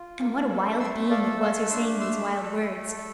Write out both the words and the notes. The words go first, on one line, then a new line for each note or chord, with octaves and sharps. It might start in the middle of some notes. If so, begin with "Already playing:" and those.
And what a wild being it was who sang these wild words!
Already playing: F4
A#3
A4
A3 C6 E6
A4 D5 F5
A3 F5 A5
D4 C6 E6
A3 C6 E6
A4
A3
A4